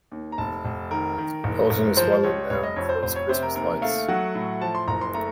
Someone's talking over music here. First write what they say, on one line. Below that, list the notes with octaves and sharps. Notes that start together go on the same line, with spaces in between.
Haughton is widely known for its Christmas lights.
D#2
A#5
F1 A5
F1
D#3 A#4
D#3
F#1
F#1
F3 C5
C#2 C#5
F1 C#5
D#5
F2 C#5
C5
F1 C5
C#5
C3 C5
A#4
D#2 A#4
A3 F5
F#3 F#5
A2
F3 A5
C6
F#1 A#5
C6
A3 A#5